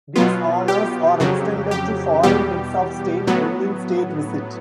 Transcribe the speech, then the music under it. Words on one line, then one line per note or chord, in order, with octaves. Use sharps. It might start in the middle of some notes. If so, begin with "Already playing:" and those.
These honors are extended to foreign heads of state when in State visit.
B2 F#3 B3 F4
G4
F2 C#3 F#3
G4
E2 B2 G3 G4
A2 F#3 B3